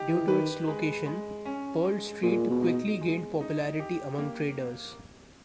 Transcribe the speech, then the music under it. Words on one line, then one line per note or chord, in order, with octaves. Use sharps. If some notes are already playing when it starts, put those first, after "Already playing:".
Due to its location, Pearl Street quickly gained popularity among traders.
Already playing: D#4 G4
E3
D#3 B4
G#3
G#3
C#4
G#3
A#2 G#3
B2
D#4
G#3
D#4
G4
A#3